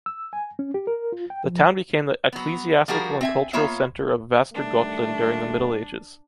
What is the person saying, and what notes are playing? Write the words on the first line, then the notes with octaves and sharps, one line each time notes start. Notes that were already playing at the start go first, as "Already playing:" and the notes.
The town became the ecclesiastical and cultural center of Västergötland during the Middle Ages.
E6
G#5
C#4
G4
A#4
F4
G5
F3
F#3 B3
F3 G3 D4 F#4 G#4 A#4
C4 E5 G#5
A#3 B3 F4 C#5 E5
D#3 G3 A3 D4